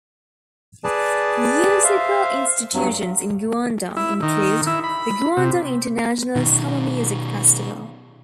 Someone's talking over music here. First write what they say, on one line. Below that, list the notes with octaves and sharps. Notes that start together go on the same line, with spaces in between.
Musical institutions in Guangdong include the Guangdong International Summer Music Festival.
G#4 B4 D5 A5
C5 E5 F5
G2 F#3
E4
D#3
E4
B5
C3
B2 D#3